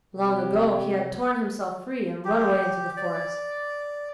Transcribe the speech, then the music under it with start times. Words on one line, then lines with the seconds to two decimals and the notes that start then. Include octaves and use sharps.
Long ago he had torn himself free and run away into the forest.
0.15 C3 G4
2.25 G4
2.97 D5